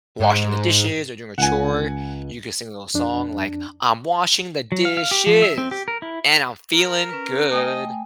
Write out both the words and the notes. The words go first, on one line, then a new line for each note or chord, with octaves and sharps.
washing the dishes or doing a chore, you could sing a little song like, "I'm washing the dishes, and I'm feeling good."
G#2
C#2 F#5 G#5
F2 D4
F#3
F5
F5
G4
F3
E5
C4
G4
A#4
E4
A#4
C#4 B4
A3 D#5 G5 G#5